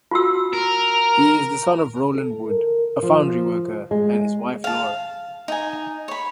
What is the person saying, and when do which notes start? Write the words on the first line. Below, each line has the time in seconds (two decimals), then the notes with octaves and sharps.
He is the son of Rowland Wood, a foundry worker, and his wife Laura.
0.11 F4 F#4 E6
0.53 A#4
2.14 A4
2.48 A#4
3.03 F3
3.91 G#3
4.64 F5 A5
5.48 D#4 G#5
6.08 C#5 B5